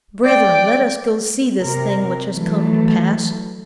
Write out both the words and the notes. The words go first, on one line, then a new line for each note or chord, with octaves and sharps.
Brethren, let us go see this thing which has come to pass.
D5 G5
C3 A#4
E3 F#3 A3